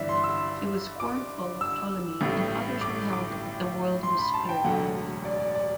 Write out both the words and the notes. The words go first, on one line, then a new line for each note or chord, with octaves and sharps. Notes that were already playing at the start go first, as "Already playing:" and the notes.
He was scornful of Ptolemy and others who held that the world was spherical.
Already playing: G1 G2 E3 D5 E5
C6
E6
D6
E6
A1 A2 G3
D6
D6
C6
B5
A5
G5
E1 D2 D3 F#3 A3 F#5
D5
D5
D5